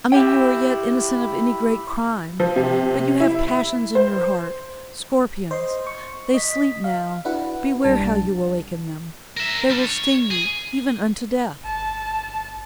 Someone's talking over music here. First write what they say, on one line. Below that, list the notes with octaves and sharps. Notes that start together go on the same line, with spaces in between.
I mean you are yet innocent of any great crime!--But you have passions in your heart,--scorpions; they sleep now--beware how you awaken them!--they will sting you, even unto death!'
E4 G4 G5
F3
C3
E4
C5
C5 D#5 C6
C#6
D#5 B6
F5
D4 E4 F#4 B4 F#5
B1 G3 D4 A5
A#4 E5
G3 D4
C#5
G#4
G1 A5